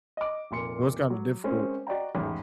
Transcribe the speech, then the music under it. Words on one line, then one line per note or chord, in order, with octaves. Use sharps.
so it's, kinda, difficult,
D#5 D6
F1 A#2 C6 C#7
F#3
G#3 C4 C#4 A#4 C5
F#4 D5 D#5 G5 A#5
A1 E2 G#2